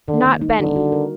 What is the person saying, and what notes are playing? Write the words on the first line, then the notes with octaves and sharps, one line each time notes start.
Not Benny!
D3 D#3
A#3
D#4
D3 G3
F#4
A#4